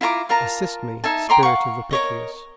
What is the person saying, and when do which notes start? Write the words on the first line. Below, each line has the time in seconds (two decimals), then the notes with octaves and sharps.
Assist me, Spirit of Apicius!
0.01 E4 F4 A#5 D6
0.29 F4 A#4 A5 A#5
1.04 D#4 E5 G#5 A5
1.29 G5 A#5 C6 D6
1.43 F5 F#5 C#6
1.91 A#4 C#5 D#5